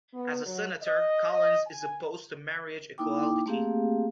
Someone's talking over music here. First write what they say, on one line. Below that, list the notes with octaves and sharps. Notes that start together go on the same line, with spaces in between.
As a Senator, Collins is opposed to marriage equality.
B3
F#3
D#5
D#5
G#5
A#3 D#4 E4 G5 D6
A3 A#3 C4 G4 G#4 F5